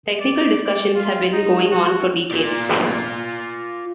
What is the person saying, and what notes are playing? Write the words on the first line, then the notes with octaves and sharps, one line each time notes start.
Technical discussions have been going on for decades.
D5
D5
F4
D#4
F#4
F4 D5